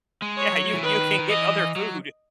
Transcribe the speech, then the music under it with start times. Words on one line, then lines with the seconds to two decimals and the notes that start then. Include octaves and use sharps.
Yeah, you you can get other food.
0.22 G#3
0.38 C#5
0.53 F#3
0.73 E3
0.83 D#3 B4
1.19 D#3
1.29 E3 D#5
1.76 F#3